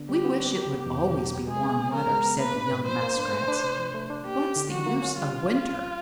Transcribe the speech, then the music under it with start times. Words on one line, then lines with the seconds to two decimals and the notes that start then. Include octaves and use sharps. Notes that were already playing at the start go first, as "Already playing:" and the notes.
"We wish it would always be warm weather," said the young Muskrats. "What's the use of winter?"
Already playing: D3 B3 D4
0.09 G3 G4
0.24 B3
0.40 D4
0.55 F#3 G4
0.71 B3
0.86 E2
1.01 B2
1.17 F#3
1.32 B3
1.47 G#3 G#4
1.63 B3
1.79 C#3
1.94 F3 A#4
2.09 G#3
2.25 B3
2.40 A#3 B4
2.56 D4
2.71 G#2
2.87 F3 C5
3.02 A#3
3.17 D4
3.33 A3
3.48 D4
3.64 C3
3.79 F3
3.95 A3
4.10 D4
4.25 A#3 G4
4.40 C#4
4.56 D3
4.71 F#3 F#4
4.86 A#3
5.02 C#4
5.18 G3 F4